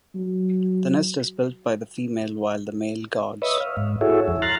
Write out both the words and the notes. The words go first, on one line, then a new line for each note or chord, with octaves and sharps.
The nest is built by the female while the male guards.
F#3
B4 C#5 D#5 E5
F5
G#2
E4 F#4 G#4 A4 C#5 E5
F2
A#5 C6 F6 F#6 A6